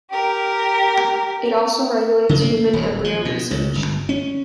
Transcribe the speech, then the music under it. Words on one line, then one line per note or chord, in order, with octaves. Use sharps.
It also regulates human embryo research.
G4 A#4
C#3
A#3
D#1
F3
B2
C#2
G1
C#4